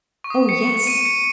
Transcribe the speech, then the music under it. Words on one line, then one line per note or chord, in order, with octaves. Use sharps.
"Oh, yes."
C#6
D#6
C#7
C#7
D#7
C#7